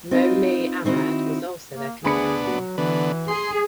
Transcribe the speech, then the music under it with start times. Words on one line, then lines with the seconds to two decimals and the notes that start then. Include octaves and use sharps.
Moulai Ahmed was also their companion.
0.11 C4 D#4 F4 B4
0.85 D#3 C4 D#4 E4 F#4
1.74 A#3
2.05 D2 B3 D4 G#4 B5 C#7
2.47 F#3 F#4
2.78 D3 E3 B3
3.28 G#4 C6